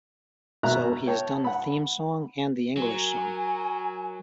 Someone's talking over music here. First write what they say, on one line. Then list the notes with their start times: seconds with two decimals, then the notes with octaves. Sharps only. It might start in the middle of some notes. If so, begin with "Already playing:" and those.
So he has done the theme song and the English song.
0.63 B2 A#4 E5 A#5 F#6
1.07 C#5 G5 A5
1.44 F#5 B5
2.77 F#3 A#4 G#5